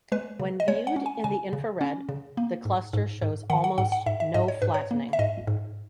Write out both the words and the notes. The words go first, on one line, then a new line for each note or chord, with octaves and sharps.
When viewed in the infrared, the cluster shows almost no flattening.
G#3 B4
C#3
D#5
G#3 C#5
F#5
C#4
G#5
C#3 G#5
C#3
C#4
C#3
A#3
G#2
G#2
G#2
D#3 F#5
F#5
G#2 F#5
F#5
G#2 E5
E5
G#2 D#5
C#5
G#2 B4
C#5
A#3
E5
G#2 D#5
G#2